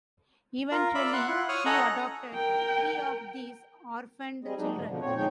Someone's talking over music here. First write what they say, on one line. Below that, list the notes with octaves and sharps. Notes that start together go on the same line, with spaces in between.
Eventually, she adopted three of these orphaned children.
F4 A#4
D5 E5 B5
F#5 C6
E4 F4 F#5
C#5 C#6 D#6 F6
C#4 A4 C#5 D#5 F#5 A#5
A#4 G5
G3 C4 G#4 D#5
F#3 G#3 D4 D#4
G#2 D3 G#3
B2 D3 F3
F2 A#2 C4 C#5
F2 F3 G#3 D#4 C#5 G5